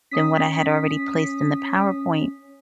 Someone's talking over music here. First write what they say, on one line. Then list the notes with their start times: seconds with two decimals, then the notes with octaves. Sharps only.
than what I had already placed in the PowerPoint,
0.11 C#4 D#6 B6